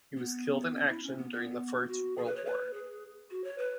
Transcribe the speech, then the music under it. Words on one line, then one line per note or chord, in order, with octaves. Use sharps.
He was killed in action during the First World War.
B3
C#4
E4
C#4
B3
B3
F#4
G#4
B4
C#5
B4
G#4
F#4
C#5
B4